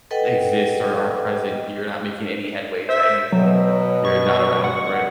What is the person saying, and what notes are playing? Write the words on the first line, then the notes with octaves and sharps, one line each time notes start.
exist or aren't present, you're not making any headway to any goal. You're not around for it.
A4 B4 D#5 F#5 G5
C5 E5
B2 F#3
F#3
C#6
F#5